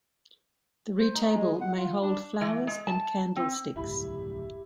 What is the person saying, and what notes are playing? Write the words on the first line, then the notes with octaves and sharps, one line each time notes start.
The retable may hold flowers and candlesticks.
C5
D#4
G#3
F#5
F4
D4
E3
G#3
A5
C4
F#1 C2 G#2 E4 G4 B5